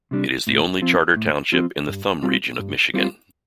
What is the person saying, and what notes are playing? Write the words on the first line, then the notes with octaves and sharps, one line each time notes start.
It is the only charter township in the Thumb region of Michigan.
C3 G3 D4
A2
F3 C4 F4
A2
F3 C4 F4
G2
G3 C4 F4
G2
G3 C4 F4